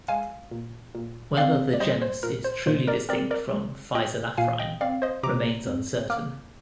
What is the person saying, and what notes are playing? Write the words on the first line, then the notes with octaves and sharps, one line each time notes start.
Whether the genus is truly distinct from "Phyzelaphryne" remains uncertain.
G#3 F5 G#5
A#2
A#2
C4 D5 F5
D5
G3 C5 D#5
C5
A#2 A#4
C5
A#2 C5
A#4 D5
C4 A#4 D5
A#4 D5
G#3
A#2 D#5 G5
A#2 F5 G#5
D#5 G5
C4 D5 F5
C5 D#5
C3 A#5 D6
F2
A#3 D6 F6